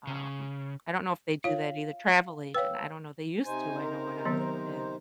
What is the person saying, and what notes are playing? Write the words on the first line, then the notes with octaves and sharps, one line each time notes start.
um I don't know if they do that either travel agent, I don't know. They used to, I know, when I was a kid.
C#3
F4 C#5 F5
B4 C#5 F5 G5 E6
C3 D#4 C5 G#5
A#4
D#3 F#3 B3